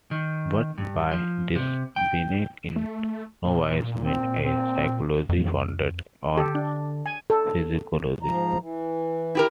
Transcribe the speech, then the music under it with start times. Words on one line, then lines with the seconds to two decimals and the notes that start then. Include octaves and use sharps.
But by this Beneke in no wise meant a psychology founded on physiology.
0.11 D#3
0.78 G2
1.12 F3
1.55 C3
1.96 G5
2.76 A3
3.46 A#2
4.03 C4
4.45 C4
5.29 F2
6.37 D3 G4 A4
6.55 D4
7.06 G#5
7.30 A4
8.23 G#2 F3 A#5
8.59 E3
9.35 E4 G4 A#4